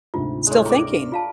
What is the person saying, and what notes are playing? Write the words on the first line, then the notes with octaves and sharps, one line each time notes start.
still thinking.
D2 G#2 C3 F4
A2 G#3
G#4 A#4 D5 D6
F4 F5 A5